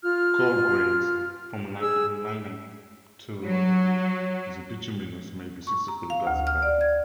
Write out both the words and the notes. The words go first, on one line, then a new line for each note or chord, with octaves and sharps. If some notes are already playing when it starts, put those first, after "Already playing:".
Coal grades from lignite through to bituminous may be successfully gasified.
F4 F6
G#4 E6
F#3
C#6
A#5
F5
D2
F6
D5
G#6